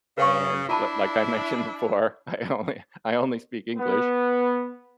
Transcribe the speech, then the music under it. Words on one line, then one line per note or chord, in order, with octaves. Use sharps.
and l like I mentioned before, I only I only speak English,
C#3 B4 F5 C#6
D4 E4 F4 A5 B5
B3